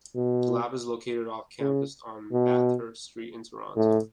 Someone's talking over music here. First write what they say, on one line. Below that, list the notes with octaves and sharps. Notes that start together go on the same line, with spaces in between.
The lab is located off-campus, on Bathurst Street in Toronto.
B2
C#3
B2
A2